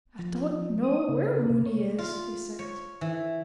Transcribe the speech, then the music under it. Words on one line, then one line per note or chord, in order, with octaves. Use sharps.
"I don't know where Mooney is," he said.
F3
D#6
C#3
C3
C#5
F4
C#5
E3